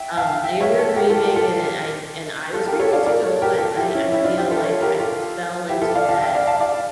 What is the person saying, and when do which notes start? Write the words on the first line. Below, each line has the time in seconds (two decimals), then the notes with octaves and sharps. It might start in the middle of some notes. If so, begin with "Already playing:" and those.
um, they were grieving, and, uh, I and I was grieving too, but I I feel like I fell into that,
Already playing: E5 G5
0.17 F5 A5
0.44 E5 G5
0.61 C#5 E5
0.78 A4 C#5
0.96 G4 A#4
1.09 F4 A4
1.22 G4 A#4
1.36 F4 A4
2.53 F4 A4
2.67 G4 A#4
2.80 A4 C#5
2.93 D5 F5
3.06 A#4 D5
3.24 A4 C#5
3.42 G4 A#4
3.58 F4 A4
3.76 E4 G4
3.94 C#4 E4
4.11 C#4 E4
4.24 D4 F4
4.37 E4 G4
4.51 F4 A4
4.63 A4 C#5
4.82 G4 A#4
4.99 F4 A4
5.69 E4 G4
5.82 F4 A4
5.95 D5 F5
6.09 F5 A5
6.22 E5 G5
6.35 D5 F5
6.47 F5 A5
6.61 D5 F5